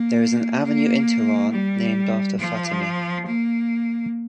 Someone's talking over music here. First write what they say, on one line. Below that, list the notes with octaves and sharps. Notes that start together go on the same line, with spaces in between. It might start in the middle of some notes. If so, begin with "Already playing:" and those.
There is an avenue in Tehran named after Fatemi.
Already playing: A#3
A#3
G3
F3
A#3